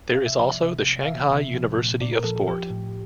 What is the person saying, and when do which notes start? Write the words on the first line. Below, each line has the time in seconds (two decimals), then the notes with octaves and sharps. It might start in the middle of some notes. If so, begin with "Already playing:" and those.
There is also the Shanghai University of Sport.
0.14 C3 F5
0.26 E5
0.38 F3 D5
0.49 E5
0.61 C3 E5
0.85 C3
1.02 F5
1.07 E3 E5
1.31 C3
1.54 F3
1.78 A#2
2.01 A#2 D5
2.13 A#4
2.24 F3 A4
2.36 A4
2.47 F3 G4
2.70 A2